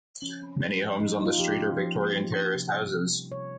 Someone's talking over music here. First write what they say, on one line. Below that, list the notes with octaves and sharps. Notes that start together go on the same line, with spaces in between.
Many homes on the streets are Victorian terraced houses.
F3 C#4
C4
C4
F3
F3 D#4
A#3 D#4
F4
F3 G4
F4
C#4
F3
A#3
F3
C#4
C3
G3
C3
C4
C3 C#5